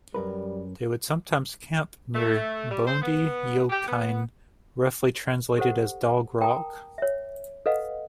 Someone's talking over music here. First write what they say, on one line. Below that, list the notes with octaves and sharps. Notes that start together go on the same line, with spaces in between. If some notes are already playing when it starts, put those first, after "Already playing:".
They would sometimes camp near "Boondie Yokine" - roughly translated as Dog Rock.
F#2 G3 A#4 B4
A3
G3
C5
B3
G4
B3
G4 A4 C5 F#5
A#4 G5 A5 A#5 D#6
C#5 E5
A4 B4 D#5 F5 F#5